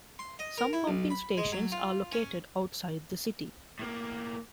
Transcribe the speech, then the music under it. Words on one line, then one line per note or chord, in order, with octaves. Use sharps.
Some pumping stations are located outside the city.
C6
D#5
A#4
E4
B1
B5
G#3
F#3
F4
C#4
A2 A#3